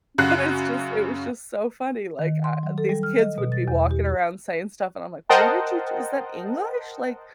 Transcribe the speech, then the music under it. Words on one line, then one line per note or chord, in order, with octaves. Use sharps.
but it's just it was just so funny, like, i uh these kids would be walking around saying stuff and I'm, like, "What did you just is that English? Like,
F#2 C#3 F#4 F#6 C7
D#3
C6
F#3
A4
G3
F6
D#5
B2
A6
E2
G4
A#4 C5 D#5 F#5 G5 A5